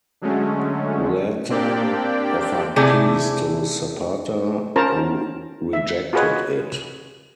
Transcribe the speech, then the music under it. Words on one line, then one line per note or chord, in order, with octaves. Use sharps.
Huerta offered peace to Zapata, who rejected it.
D3 F#3 G#3 A3 C#4
A#3 C4 D4 G4 D5 G5
C3 A3 E4 G#4 D5
C#4 F4 A#4 C5 A5 A#5
E5
F4 F#4 G#4 B4 C#5 D#5